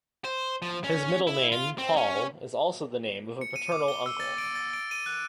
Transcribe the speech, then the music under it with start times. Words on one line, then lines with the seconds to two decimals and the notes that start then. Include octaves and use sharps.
His middle name, Paul, is also the name of a paternal uncle.
0.24 C5
0.62 F3
0.84 C#4
1.27 E4
1.52 F4
1.78 C4
1.96 C#4
3.41 C#7
3.56 D#7
3.72 D6
3.88 G7
4.06 E6
4.20 A6
4.38 D7
4.55 A6
4.73 D7
4.91 D#7
5.06 F#6